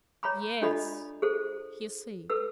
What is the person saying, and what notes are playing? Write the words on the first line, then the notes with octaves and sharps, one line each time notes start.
"Yes," he said.
C#5 A#5 B5 D6
D4 F4 A4 D5 D#5 B5
G#4 A4 C5
A4 B4 E6